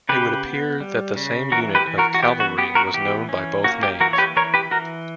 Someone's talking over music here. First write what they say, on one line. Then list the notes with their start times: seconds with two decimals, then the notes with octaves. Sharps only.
It would appear that the same unit of cavalry was known by both names.
0.09 C#3 G4 B4
0.45 B3
0.80 G3
1.16 C#3
1.52 E3 F#4 A#4
1.75 G4 B4
1.87 E3
1.98 F#4 A#4
2.14 F#4
2.23 B3 G4
2.40 F#4
2.58 B3 G4
2.75 F#4 A#4
2.94 E3 G4
3.29 C#4
3.64 A#3 F#4
3.83 G4
4.00 E3 F#4 A#4
4.13 C#5
4.18 G4 B4
4.36 E3 A#4 C#5
4.54 G4 B4
4.71 E3 F#4 A#4